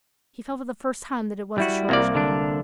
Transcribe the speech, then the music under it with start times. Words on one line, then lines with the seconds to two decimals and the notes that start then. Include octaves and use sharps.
He felt for the first time that it was a shortish name.
1.58 G3 E4 F#4
1.89 C2 A#3 D5
2.15 D3 D4